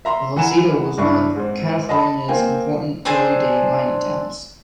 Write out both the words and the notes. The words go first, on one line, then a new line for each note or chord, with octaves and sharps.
Vallecito was one of California's important early-day mining towns.
E5 A#5 C6
E3 F#5 G#5 A#5 E7
G2 D4 E4 C#6
G#2 C4
D#5 A5 B5
A#3 C4 G5 G#5
C4 D4 G#4 C5